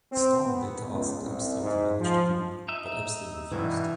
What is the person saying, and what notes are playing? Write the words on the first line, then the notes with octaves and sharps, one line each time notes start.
Storm later asked Epstein to manage the group, but Epstein refused.
C4
B3
C#2
C2
G#2
F3
D#4 E5
G2 B2 E3